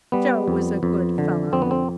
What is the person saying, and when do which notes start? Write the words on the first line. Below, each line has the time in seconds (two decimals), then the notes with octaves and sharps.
Joe was a good fellow.
0.12 G3 B3
0.48 F2
0.83 F2
1.18 D3
1.53 F2 C4
1.62 B3
1.71 C4